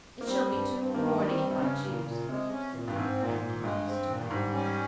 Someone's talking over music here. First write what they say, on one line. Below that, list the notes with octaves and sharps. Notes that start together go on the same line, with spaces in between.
'It shall be two in the morning, if I choose,' said Dick, backing to the studio door.
A#3
G3 C4
G2
G2
D#3 A#3
G3
C4
G2
C3
C#3 C#4
A#2
A#2
C3 G#3
C#4
A#2
G2
G#2 C4
A#2
A#2
G2 G#3
C4
A#2
G2
G#2 G3
C#4